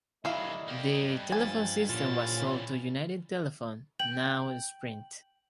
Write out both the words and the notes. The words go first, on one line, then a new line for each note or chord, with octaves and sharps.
The telephone system was sold to United Telephone, now Sprint.
D#3 F#3 G3 A3 E4 D#5 F5
A#3 G4
G2
F3 G#5 A6
A#2 D3 E3 F3 G3 C#4 F4 A6
G5 F#7